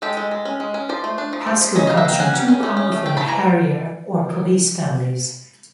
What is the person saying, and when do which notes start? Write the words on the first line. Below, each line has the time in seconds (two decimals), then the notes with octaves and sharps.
Pasco comes from two powerful "harrier", or police, families.
0.02 G#3 G4 A4
0.17 G#3
0.31 G#3
0.45 C#4
0.60 G#3
0.74 C#4
0.89 F3 C5 D5
1.04 A3
1.18 D4
1.33 F3
1.47 F3
1.61 F3
1.75 C#4 C#5 D#5
1.87 E3 D#5 F5
1.97 E5 F#5
2.05 A#3 F5 G5
2.19 C#4 F#5 G#5
2.34 G3
2.48 C#4
2.63 A3
2.77 C#4
2.92 A3
3.06 A3 G5 A5
3.17 E3 A5 B5
3.27 G#5 A#5